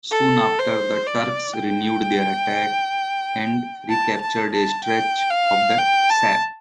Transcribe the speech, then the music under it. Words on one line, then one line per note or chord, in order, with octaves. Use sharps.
Soon after, the Turks renewed their attack and recaptured a stretch of the sap.
A4
C5
D5
G5
A5
A5
A5
G5
F5
G5
A5